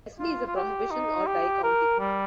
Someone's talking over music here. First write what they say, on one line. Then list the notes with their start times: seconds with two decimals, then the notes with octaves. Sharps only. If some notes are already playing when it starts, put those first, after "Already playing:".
Leslie is a prohibition or dry county.
0.19 F4
0.47 F4
0.55 G4
0.91 D#4
1.27 G4
1.64 A#4
2.00 G3